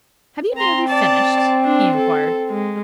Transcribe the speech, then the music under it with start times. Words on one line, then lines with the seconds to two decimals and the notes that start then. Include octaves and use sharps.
"Have you nearly finished?" he inquired.
0.57 C4 A#5 C6
0.88 D5 A5
1.65 D4
1.96 A4
2.49 G#3